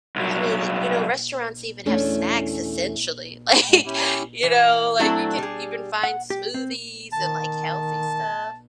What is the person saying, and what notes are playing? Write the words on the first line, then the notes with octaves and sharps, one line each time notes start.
I mean, you know, restaurants even have snacks essentially. Like, you know, like, you could even find smoothies and, like, healthy stuff.
C2 F#3
E2 A3 C#4 D4
G#2 G#3
C#4 E4 G4
E3
F#3 A3 C4 D4 E4 F#4
G3 G#4
F#5
G4
C4
D#3 A5